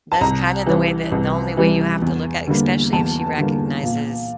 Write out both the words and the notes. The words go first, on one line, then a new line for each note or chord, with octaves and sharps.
That's kinda the way that the only way you have to look at especially if she recognizes
A5
C2 A#5
C3 E3 G3
C2
C3 E3 G3
E2
D3 G3 A#3
E2 A5
D3 G3 A#3
A#2